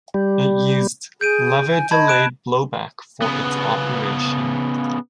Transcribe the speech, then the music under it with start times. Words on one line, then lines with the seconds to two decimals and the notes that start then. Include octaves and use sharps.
It used lever-delayed blowback for its operation.
0.14 G3
1.21 G#4 G6 D7 D#7
1.70 G#5
1.91 D#5 A5 B5 G#6
2.08 F#6 D7 E7
3.22 C#3 B3